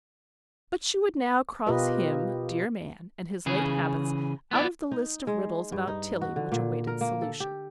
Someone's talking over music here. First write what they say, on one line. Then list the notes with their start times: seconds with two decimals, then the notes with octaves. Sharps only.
But she would now cross him--dear man--and his late habits, out of the list of riddles about Tilling which awaited solution.
1.67 B2 F4 G4 A#4 B4 D#5
3.46 C#3 E3 G#4
4.51 B3 E4 D5
4.92 D#4
5.27 G#3
5.72 G2
5.88 D#4
6.21 F#4
6.36 D3
6.52 A#2
6.87 A#4
7.01 A#3
7.22 A4
7.40 G4